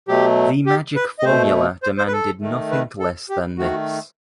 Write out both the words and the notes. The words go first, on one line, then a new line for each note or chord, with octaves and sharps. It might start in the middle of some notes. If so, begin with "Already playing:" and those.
The magic formula demanded nothing less than this.
B2 F#3 A3 G4
G4
B4
D#5
B2 A3 C5
C5
C5
B4
A4
D#3 A3
B4
A4
G4
D#3 A3 F#4